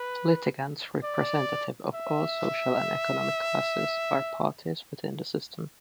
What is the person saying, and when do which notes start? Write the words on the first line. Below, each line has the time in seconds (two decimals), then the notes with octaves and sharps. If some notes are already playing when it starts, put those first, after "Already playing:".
Litigants representative of all social and economic classes are parties within the system.
Already playing: B4
1.04 D5
1.95 E5